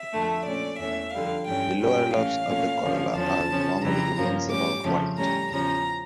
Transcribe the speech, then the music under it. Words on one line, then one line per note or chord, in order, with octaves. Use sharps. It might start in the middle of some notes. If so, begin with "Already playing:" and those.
The lower lobes of the corolla are long with wings about wide.
Already playing: E5
F2 D3 A3
A#2 A3 C#4 D5
E2 E3 A3 C#4 E5
F2 D3 G3 F5
G2 E3 G3 C#4 G5
A#2 G3 C#4 G5
A2 E3 A3 C#4 F5
A#2 A3 C#4
F2 D3 F3 C#4
E2 D3 F3 C#4 A5
C#3 F3 C#4
F2 C#3 E3 G3 A#5
G2 F3 A#3 C#4
A2 G3 C#4 D6
F2 C#3 F3 A3 C#4
A2 G3 C#4 A#5
E2 C#3 F3 C#4 A#5